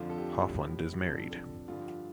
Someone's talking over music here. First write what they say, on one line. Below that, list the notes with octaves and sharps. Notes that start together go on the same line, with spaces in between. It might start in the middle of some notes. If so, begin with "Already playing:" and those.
Hofland is married.
Already playing: F2 D3 F3 F4
A4
G4
A2 F3
F2 D3 F3 A4
A4
G2 D3 F3 F4